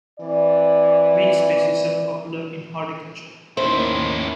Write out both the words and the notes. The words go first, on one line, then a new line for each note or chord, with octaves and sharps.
Many species are popular in horticulture.
E3 C4 D5
D#2 D#3 A#3 C#4 E4 C5